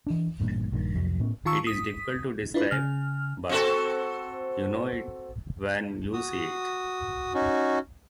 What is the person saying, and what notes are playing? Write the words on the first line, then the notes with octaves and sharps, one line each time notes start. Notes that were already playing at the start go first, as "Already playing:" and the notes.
It is difficult to describe, but you know it when you see it.
E3 D4
A1 G2 A#2
A#1 G2 D#3
F1 C2 F2 F#3
A2 B3 C#4
D#3 F4 A5 C#6 E6 C#7
D#6 B6
D4 E4 F4 B4
C#3 F6
C4 F#4 A4
F#4 D#6
C#4 D#4 F#4